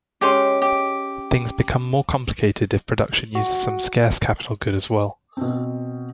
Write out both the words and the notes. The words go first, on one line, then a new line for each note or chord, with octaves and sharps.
Things become more complicated if production uses some scarce capital good as well.
G#3 C#4 G4 G5 C6
G4 G5
F#4
B2 C4